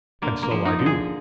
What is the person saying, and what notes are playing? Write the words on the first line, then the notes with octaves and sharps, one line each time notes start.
'And so I do.
D3 A#3
A#3
F3
D#4
D3
G#4